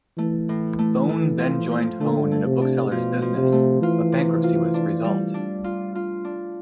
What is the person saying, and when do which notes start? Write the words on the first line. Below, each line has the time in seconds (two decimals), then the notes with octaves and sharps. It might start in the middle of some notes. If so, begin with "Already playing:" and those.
Bone then joined Hone in a bookseller's business; but bankruptcy was the result.
0.18 E3 A3
0.49 A2
0.79 A3
1.09 A3
1.39 F3
1.71 F3
2.00 D3 A3
2.31 A3
2.46 C3
2.62 D4
2.91 B2 F3
3.22 F3
3.37 C3
3.52 A3
3.82 E3 F4
4.12 C3
4.44 F4
4.74 D4
5.04 G3
5.34 D4
5.64 F4
5.95 F4
6.25 D4